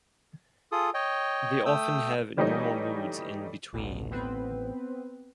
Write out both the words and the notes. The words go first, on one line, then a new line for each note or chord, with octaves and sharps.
They often have normal moods in between.
F4 G#4 A4 D#6
C#5 D#5 G5
A3 G5 D#6 E6
E3 G3 A3 D#4 C#5 D#5
A1 D2 B2
B3 C4 B4